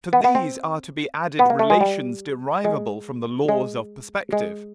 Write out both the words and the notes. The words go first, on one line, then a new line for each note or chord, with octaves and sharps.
To these are to be added relations derivable from the laws of perspective.
B3
B3
C4
B3
A#3
A3
G#3
G3
G#3
G#3
G#3